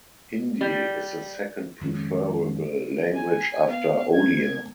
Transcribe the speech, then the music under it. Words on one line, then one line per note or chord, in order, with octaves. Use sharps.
Hindi is the second preferable language after Odia.
G3
F2 D#3 G#3 C#4
G#5
B3 F5
G#6